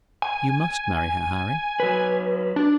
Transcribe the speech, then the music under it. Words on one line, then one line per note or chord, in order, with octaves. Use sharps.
"You must marry her, Harry."
G#5
F#3 B4
D4